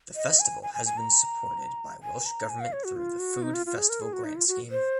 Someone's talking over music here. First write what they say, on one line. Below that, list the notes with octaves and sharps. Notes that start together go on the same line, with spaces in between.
The festival has been supported by Welsh Government through the Food Festival Grant Scheme.
D#5
G#5
G#5
G#5
G#5
A#5
G#5
A#5
G#5
F5
C#5
F#4
F4
F#4
D#4
F4
F4
G#4
A#4
G#4
F#4
D#4
F4
F#4
C5